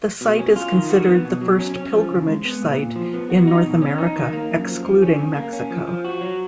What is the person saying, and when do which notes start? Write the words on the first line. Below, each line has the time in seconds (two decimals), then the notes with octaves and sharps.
The site is considered the first pilgrimage site in North America, excluding Mexico.
0.21 B2
0.39 C#4
0.56 F4
0.73 D#3
0.90 F#4
1.07 B3
1.25 B2
1.41 F#3
1.59 C#4
1.77 C#4
1.92 F3
2.10 C#3
2.27 G#3
2.45 B3
2.62 A#2
2.79 A#2
2.96 F3
3.14 B3
3.30 F#4
3.47 D#4
3.65 B2
3.82 C#4
3.98 D#4
4.16 D#3
4.33 A#3
4.50 F#2
4.68 F3
4.85 F3
5.02 C#4
5.19 C#3
5.36 A#3
5.53 C#4
5.70 F3
5.87 F3
6.05 F#4
6.21 F#3